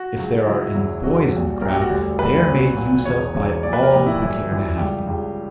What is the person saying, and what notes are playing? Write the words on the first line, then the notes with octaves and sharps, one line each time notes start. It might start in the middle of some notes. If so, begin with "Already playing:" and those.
If there are any boys in the crowd, they are made use of by all who care to have them.
Already playing: F#4
C#2 C#3 F#3
C#2 C#3 F#3 E4
E1 E2 C#3 F#3
E1 E2 C#3 F#3 F#4
B1 A#2 G3
B1 A#2 G3 A#4
G4
F#4
E1 D2 D3 G3 G4
E1 D2 D3 G3 B4
B1 A#2 F#3
B1 A#2 F#3
E1 E2 C#3 C#5
E1 E2 C#3
A#1 A#2 F#3 D5
B4
A#4
A#1 A#2 F#3 G4
E4
G1 F#2 E3 G3 E4
G1 F#2 E3 G3
C#2 C#3 G3 G4
C#2 C#3 G3